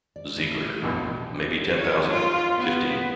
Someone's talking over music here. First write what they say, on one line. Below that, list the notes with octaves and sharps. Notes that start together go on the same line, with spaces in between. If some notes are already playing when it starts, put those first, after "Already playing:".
Ziegler: Maybe ten thousand - fifteen?
D5
E3 G3 A3
A#1 F2 B2
C#5
F4
B3